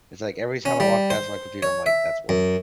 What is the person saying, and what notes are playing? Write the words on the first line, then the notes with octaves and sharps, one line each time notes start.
it's, like, every time I walk past my computer, I'm like, "That's work."
C#4
G3
C5
C#5
E5
F#2